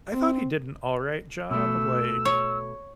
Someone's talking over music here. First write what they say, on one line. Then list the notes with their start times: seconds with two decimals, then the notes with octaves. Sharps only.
I thought he did an all right job. Like,
0.12 C4
1.50 B2 A3 E6
2.25 C#5